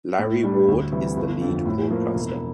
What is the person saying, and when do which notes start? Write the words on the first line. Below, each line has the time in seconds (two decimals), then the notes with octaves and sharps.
Larry Ward is the lead broadcaster.
0.19 A2
0.43 G3 D4
0.68 D2
0.92 C3 E3 G3
1.17 G1
1.41 F2 D3
1.66 A2
1.90 F3 A#3
2.15 E1